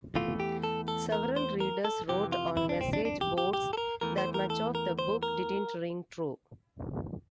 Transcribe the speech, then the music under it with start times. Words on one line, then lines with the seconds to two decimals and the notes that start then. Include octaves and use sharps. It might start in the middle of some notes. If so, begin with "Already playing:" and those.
Several readers wrote on message boards that much of the book didn't ring true.
0.15 E2 E3 A3 F4
0.40 G4
0.64 A4
0.88 A4
1.12 A#4
1.36 C5
1.60 A#4
1.85 A4
2.08 F2 C3 E3 G4
2.32 F4
2.57 E4
2.69 D4
2.81 C4
2.93 D4
3.05 D4
3.21 G4
3.38 G4
3.53 G4
3.73 A4
3.77 A#4
4.01 E2 E3 A3 A#4
4.18 C5
4.34 A#4
4.50 A4
4.75 A#4
4.99 C5
5.23 A#4